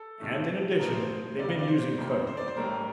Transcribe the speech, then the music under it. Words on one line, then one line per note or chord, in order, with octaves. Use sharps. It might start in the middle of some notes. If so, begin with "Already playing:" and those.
And in addition, they've been using code.
Already playing: A4
C2 C3 D#3 A3
C2 A#2 F3 A3 D#4 A#4
C5
D2 C3 G3 D5
F5
D5
C5
F2 D#3 G3 A#3 D4
C5
D5
C5
A1 A2 G3 D4 A#4